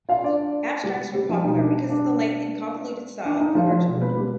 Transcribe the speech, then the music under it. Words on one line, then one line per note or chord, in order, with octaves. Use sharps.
Abstracts were popular because of the length and convoluted style of the original.
F4 F5
D4 D5
G3 G4
G3 G4
F3 F4
B2 G3 D#4
D4
D4
D4
D#4
F3 F4
F3 F4
B2 G#3
B3 B4
G3 G4